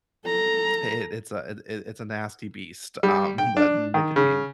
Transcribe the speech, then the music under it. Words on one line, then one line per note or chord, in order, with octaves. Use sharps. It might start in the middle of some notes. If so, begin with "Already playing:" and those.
uh, it it's a uh, th it it's a nasty beast, um, that nicotine.
A4 A#5
G3
G5
D4
D#3
C#3